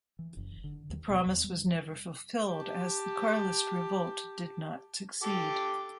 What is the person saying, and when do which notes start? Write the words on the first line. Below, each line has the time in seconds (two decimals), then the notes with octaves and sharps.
The promise was never fulfilled, as the Carlist revolt did not succeed.
0.19 E3
0.37 F#1
0.64 D3
0.90 D#2
1.10 B2
1.27 E2
1.44 G3
2.46 G4 A5
5.23 G4 A4 D6